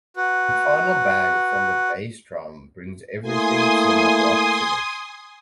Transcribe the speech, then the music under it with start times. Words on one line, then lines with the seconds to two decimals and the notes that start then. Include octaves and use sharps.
A final bang from the bass drum brings everything to an abrupt finish.
0.16 F#4 B4
3.22 A3 A#3 E4 G#5 C6 D#6